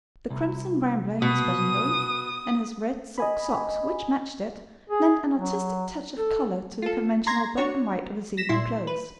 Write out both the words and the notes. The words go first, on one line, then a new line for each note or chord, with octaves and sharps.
The crimson rambler in his button-hole, and his red silk socks, which matched it, lent an artistic touch of colour to the conventional black and white of his evening clothes.
C2
B2 D#6
D#5 G#5 B5
G#4
F#3
A4
F4 A4
A#5 C6 G#6 A#6
D4 F#4 C#5 C#6
A#6 B6 E7
A#2 E4 C6
B4